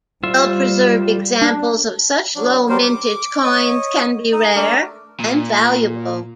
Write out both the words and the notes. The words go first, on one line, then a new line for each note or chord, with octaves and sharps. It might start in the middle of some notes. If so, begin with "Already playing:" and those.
Well preserved examples of such low mintage coins can be rare and valuable.
G3 F4 C5 E5
D4
F#3 D4
F#3 G3 A#4 C5
D6
C#5 D#5
D#4 D#5
A3 D4 A#4
A#2